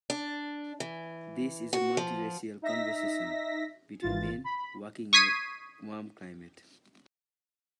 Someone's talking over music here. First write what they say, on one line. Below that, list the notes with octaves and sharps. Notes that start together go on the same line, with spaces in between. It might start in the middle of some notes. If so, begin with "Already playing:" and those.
This is a multiracial conversation between men walking in a warm climate.
D4
E3
F#4
F3
D#4 E5 A#6 B6
G#1 E3 F4 A6
B5
C#6 D#6 G#6 B6 C7 D#7